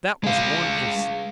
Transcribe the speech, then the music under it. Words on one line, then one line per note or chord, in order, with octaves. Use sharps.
That was one instance.
G#3 F5